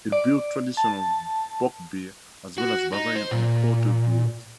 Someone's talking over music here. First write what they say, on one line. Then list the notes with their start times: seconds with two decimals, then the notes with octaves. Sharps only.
It brewed traditional Bock beer, as well as Bavarian and Porter beers.
0.12 D5
0.77 A5
2.58 F#4
2.93 D#4
3.15 C5
3.31 A#2